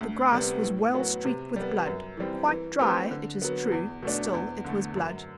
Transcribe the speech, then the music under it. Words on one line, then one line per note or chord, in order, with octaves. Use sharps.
The grass was well streaked with blood: quite dry, it is true; still it was blood.
D2
C3 G3 B3
A2
F#3 B3 F#4
C3
G3 B3
F#2
E3 G3 C4
E3
A3 C4 G4 B4
D3
F#3 B3
E2
B2 A3 D4
E2
D3 A3
F#2